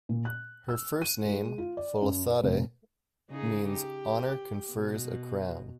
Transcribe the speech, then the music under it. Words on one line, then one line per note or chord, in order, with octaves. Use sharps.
Her first name, "Folasade", means "Honor confers a crown".
A#2
F#6
E6
D#7
G#3
F4
D5
F#2
B4
F1
C#3 D#4 G#4
G4
B2